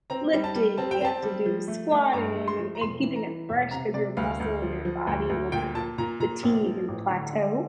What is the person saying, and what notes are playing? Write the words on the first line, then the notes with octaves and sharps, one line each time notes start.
lifting, you have to do squatting and and keeping it fresh 'cause your muscle in your body will kind of fatigue and plateau
C4 A#5
G3
A5
G3
C4 A5
G5
C4 A5
G3
F3
A3
A3
G2 A#5
A3
C6
F3
A#5
E1 C6
E3
A#5
E3
E1 E5
C3 A#5
C3 D5
D2 F5
D2
F3
F3
D2
D2
A#2 G5
A#2 A5
A#2 A#5
A#2 A#5
A#1
F3
A1
D3
D3